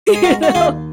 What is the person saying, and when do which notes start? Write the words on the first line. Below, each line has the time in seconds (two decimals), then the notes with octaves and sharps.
you know,
0.08 G#3
0.15 G#4
0.24 F#4 A#4
0.43 F#4
0.55 D#2 F4 G#4